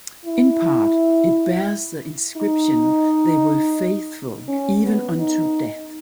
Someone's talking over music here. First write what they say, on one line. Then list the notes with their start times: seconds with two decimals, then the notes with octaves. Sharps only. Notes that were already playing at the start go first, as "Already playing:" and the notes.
In part, it bears the inscription they were faithful even unto death.
0.26 E4
2.37 D#4
4.48 C#4
4.83 B3
5.20 D#4